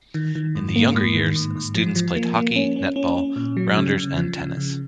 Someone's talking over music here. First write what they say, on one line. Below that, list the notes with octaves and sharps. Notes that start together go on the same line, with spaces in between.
In the younger years, students play hockey, netball, rounders and tennis.
D#3
D#3
G#2
A#3
G#2
D#3
G#2
G#2
F3
F3
A#3
A#3
C#4
C#4
C#4
C#4
A#2
F#3
C#3
C#3
F3
C#3
C#3